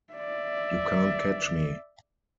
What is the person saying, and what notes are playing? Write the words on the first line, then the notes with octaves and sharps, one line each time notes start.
You can't catch me.
D5 E5